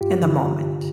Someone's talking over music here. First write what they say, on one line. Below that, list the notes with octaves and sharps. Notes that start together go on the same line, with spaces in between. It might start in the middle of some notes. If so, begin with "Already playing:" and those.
In the moment.
G2 F4 G4
D3